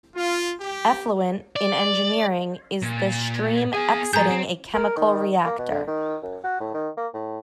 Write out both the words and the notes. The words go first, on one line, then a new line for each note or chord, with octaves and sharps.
Effluent, in engineering, is the stream exiting a chemical reactor.
F4
G4
D5
A#2
B3 G#4 G#5
G#2 F3 G#4 A#5 G6
C4
A#4
D#3
A#3
B2
D3
D#3
F#2
F#4
A2
D#3
A#3
A2